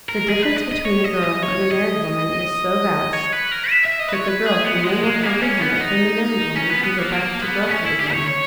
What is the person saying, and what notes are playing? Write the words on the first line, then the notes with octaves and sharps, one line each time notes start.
The difference between a girl and a married woman is so vast, that the girl can no more comprehend it than the married woman can go back to girlhood again.
A#4
G#4
B4
D#5
D#5
C#5
D#5
D#5
C#5
D#5
C#5
B4
A#4
E5
E5
D#5
B4
C#5
B4
G#4
B3
G#3
G#3
A#3
C#4
B3
D#4
C#4
B3
B3
A#3
A#3
B3
C#4
E4
G4
C#5
C#5